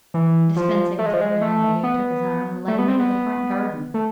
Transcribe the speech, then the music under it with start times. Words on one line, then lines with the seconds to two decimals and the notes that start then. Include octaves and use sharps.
Dispensing with formality, I took his arm, and led him into the front garden.
0.14 E3
0.56 F3
0.99 A3
1.06 G#3
1.13 F3
1.21 G#3
1.41 A3
1.83 B3
2.68 A3
2.79 B3
2.88 C4
2.99 B3
3.94 A3